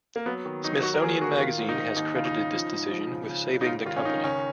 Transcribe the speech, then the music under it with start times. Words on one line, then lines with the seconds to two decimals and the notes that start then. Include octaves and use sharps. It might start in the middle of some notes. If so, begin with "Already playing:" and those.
Smithsonian magazine has credited this decision with saving the company.
0.16 A#3
0.26 F#3 B3
0.45 D#3
0.64 F#3 D#4
0.82 D#3 F#4
0.94 A#4
1.02 D#2 G#4
1.21 D#2 F#4
1.40 D#3 F4
1.58 G#2
1.69 D#4
1.78 G#2
1.96 D#2 D#4
2.15 C#3 F4
2.25 D#4
2.34 C#3
2.54 F3
2.72 G#2
2.91 F3
3.10 C#3
3.29 C#3
3.48 C#3
3.61 D#4
3.67 G#2 F4
3.86 D#3 F4
3.96 C#4
4.05 D#3 D#4
4.24 C#2 C#4